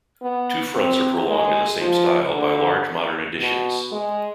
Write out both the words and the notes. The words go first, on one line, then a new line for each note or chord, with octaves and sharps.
Two fronts are prolonged in the same style by large modern additions.
B3
C4
G#3
F3
D3
B2
G#3